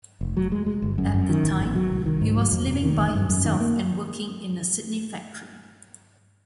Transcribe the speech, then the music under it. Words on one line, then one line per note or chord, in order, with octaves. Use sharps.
At the time, he was living by himself and working in a Sydney factory.
F1
F#3
G#3
G#3
G1
F#2
F#2
D#3
A1
A1
F#3
C2
D#3
G#2
F#3
F2
C3
D#3
A1
G2
F#2
D#3
A#3